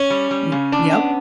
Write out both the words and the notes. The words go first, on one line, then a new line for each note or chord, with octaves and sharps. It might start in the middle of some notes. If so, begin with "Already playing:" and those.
Y yep.
Already playing: C#4
G3
G3
C#3
D4
B3